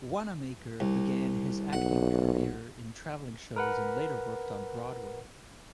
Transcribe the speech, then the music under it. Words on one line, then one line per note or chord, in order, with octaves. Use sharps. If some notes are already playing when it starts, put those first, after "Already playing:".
Wanamaker began his acting career in traveling shows and later worked on Broadway.
C2
B1 F#5
A#4 B4 F#5